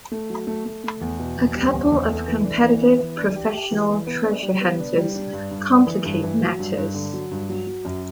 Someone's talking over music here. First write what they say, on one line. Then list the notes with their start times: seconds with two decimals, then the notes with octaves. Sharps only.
A couple of competitive professional treasure hunters complicate matters.
0.12 A3
0.30 F#3
0.47 A3
0.66 A3
0.84 A3
1.01 E2
1.19 B2
1.37 E2
1.56 G3
1.74 E2
1.92 E2
2.10 A4
2.28 E3
2.45 D4
2.63 E3
2.82 B3
2.99 E3
3.17 D4
3.36 G4
3.53 G4
3.71 E3
3.90 E3
4.07 B3
4.26 D4
4.43 G3
4.61 B3
4.79 D4
4.97 G3
5.15 D4
5.33 G2
5.51 G2
5.69 D4
5.87 E3
6.05 G2
6.23 E3
6.41 F#3
6.59 G2
6.77 G2
6.95 D3
7.13 F#3
7.31 G2
7.49 F#3
7.67 F#3
7.85 F#2